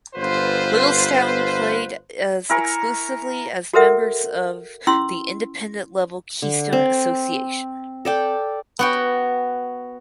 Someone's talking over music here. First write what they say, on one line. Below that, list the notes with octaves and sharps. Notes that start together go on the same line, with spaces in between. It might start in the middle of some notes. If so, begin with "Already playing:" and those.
Littlestown played as exclusively as members of the Independent level Keystone Association.
G1 F4 B4 C5
E4 A#4 G#5 C#6
F#4 A4 A#4 C5 E5 F#5
C#4 E4 C6 E6
D3
C4
A4 D5 G5
B3 F#4 G5